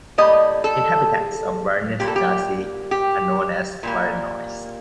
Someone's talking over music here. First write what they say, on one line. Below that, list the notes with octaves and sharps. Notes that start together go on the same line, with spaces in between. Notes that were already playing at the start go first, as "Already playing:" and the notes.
Inhabitants of Varennes-Jarcy are known as "Varennois".
A2 G3 A#3 D#5
A4
A#2 G3 A#3 G4
A4
G4
G4
A#2 G3 A#3